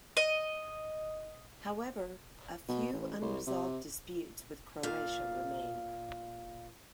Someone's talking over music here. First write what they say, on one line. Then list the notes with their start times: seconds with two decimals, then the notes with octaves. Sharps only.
However, a few unresolved disputes with Croatia remain.
0.17 D#5
2.69 B2
2.93 A1
3.22 C2
3.47 C3
4.83 A#2 F5